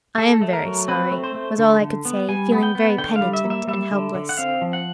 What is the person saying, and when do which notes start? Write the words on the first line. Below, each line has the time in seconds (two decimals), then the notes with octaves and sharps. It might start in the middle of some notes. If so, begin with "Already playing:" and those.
"I'm very sorry," was all I could say, feeling very penitent and helpless.
0.18 A3 A4
0.41 A3
0.53 A#4
0.65 F#3
0.88 C4 B4
1.11 A3
1.24 C5
1.34 A3
1.58 D3
1.81 D3
2.05 B3
2.29 G3 G#5
2.52 B3
2.63 G5
2.75 B3
2.98 D3 G5
3.16 F5
3.21 G3
3.33 E5
3.44 A#3
3.50 E5
3.67 G3 E5
3.91 D3
4.15 D3
4.29 F#5
4.37 C4 F5
4.61 F3
4.73 F#5